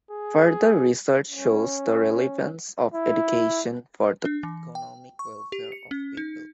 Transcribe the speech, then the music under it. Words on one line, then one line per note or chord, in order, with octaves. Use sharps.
Further research shows the relevance of education for the economic welfare of people.
G#4
C#4
E4
D4
E3
G5
C#6
G4
C#7
C#4
D#4